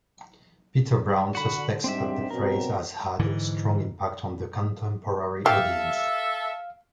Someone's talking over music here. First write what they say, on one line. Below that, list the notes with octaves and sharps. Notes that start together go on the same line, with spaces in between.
Peter Brown suspects that the phrase has had a strong impact on the contemporary audience.
D3 F#4 B5
G#2 G3 C4 D4 E5
B2 F#3 C4 A#4
G#2 D3 E3
G4 A4 E5 F5